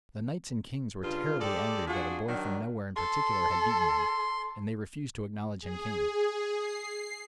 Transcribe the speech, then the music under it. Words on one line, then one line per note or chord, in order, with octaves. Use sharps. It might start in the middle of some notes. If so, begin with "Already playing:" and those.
The knights and kings were terribly angry that a boy from nowhere in particular had beaten them, and they refused to acknowledge him king.
G2 C#3 F4
G#3 G4 A4 D5
D4 F4 F#4 G#4
D#3 F#3 D4
A4 C6
G#4
C7